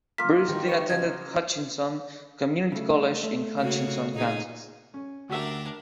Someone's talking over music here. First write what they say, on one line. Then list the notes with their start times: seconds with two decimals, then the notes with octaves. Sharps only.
Bruce then attended Hutchinson Community College in Hutchinson, Kansas.
0.18 A#3 F4 A#4 F6 B6
0.48 D#3 E3 G3
0.67 B4 C#6
0.90 C#3 F#3 D#5 G#6
2.72 C#3 G3 A3
3.23 A3
3.59 C#3 A#3 F#4
4.14 A#2 D#4 G#4
4.94 C#4
5.30 D2 D4 F#4 G4 A#4 E5 F#5 E6